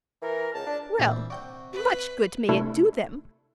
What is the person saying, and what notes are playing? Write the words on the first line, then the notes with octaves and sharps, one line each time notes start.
Well, much good may it do them!
E3 A#4
C#2 A5
D4
A#2 E3 G3 A#3 C4 D4
C3 F#4 D5 G5 G6
B4
C3 A3 D4 E4 A4